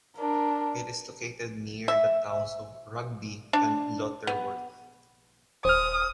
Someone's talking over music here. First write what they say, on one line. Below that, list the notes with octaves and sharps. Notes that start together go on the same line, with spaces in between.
It is located near the towns of Rugby and Lutterworth.
D4 A#4
E5
D4
B3
D#1 C5 D#6 F6